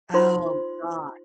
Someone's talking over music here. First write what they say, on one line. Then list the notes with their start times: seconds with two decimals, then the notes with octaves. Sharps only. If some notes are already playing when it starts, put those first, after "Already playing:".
Oh god.
0.14 D#4 F4 C5 C6